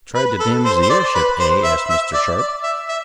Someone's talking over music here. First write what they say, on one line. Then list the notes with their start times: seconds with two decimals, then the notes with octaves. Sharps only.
"Tried to damage the airship, eh?" asked Mr. Sharp.
0.15 B4
0.40 A4
0.65 C5
0.82 C5
0.89 D5
1.15 B4
1.39 C5
1.64 E5
1.89 E5
2.14 D5
2.39 D5
2.63 E5
2.89 E5